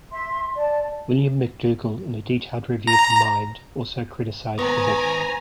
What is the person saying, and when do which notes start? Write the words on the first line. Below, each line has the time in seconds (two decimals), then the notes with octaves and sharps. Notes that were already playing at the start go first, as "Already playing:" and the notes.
William McDougall in a detailed review for "Mind" also criticized the book.
0.11 E5 C6
0.56 D5 A5
2.87 A#5
4.59 G#2 D#3 B3 C5 G#5 A#5